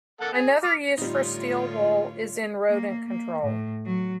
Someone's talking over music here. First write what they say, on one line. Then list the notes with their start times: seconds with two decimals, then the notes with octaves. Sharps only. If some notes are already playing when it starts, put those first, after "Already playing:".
Another use for steel wool is in rodent control.
0.21 A#3 A4 F#5
0.34 G#4
0.63 D6 F6
0.98 A2 D3 G3 D#4 F4 C#5
2.69 A#3
3.07 A#3
3.42 A2
3.86 F#3